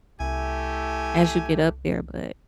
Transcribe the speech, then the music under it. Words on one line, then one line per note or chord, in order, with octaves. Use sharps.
as you get up there, but,
C2 A3 E4 G4 G#5